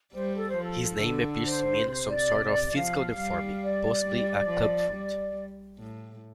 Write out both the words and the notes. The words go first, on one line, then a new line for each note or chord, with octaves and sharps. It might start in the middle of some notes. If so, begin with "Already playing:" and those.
His name appears to mean some sort of physical deforming, possibly a clubfoot.
G3 C5
A4
C5
F3 A4
D3
C5
C3 C5
D5
F3 F5
G3
D5
G3
F3
G3
A2